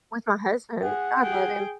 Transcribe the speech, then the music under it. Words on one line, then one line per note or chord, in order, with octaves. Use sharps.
with my husband, I love him,
G#4 F#5
G#4 G5